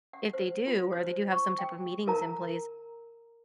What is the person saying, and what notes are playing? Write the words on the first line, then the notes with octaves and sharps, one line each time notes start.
if they do or they do have some type of meetings in place,
F#5
C5
F4
C5
C#6
G5
A#4 A#5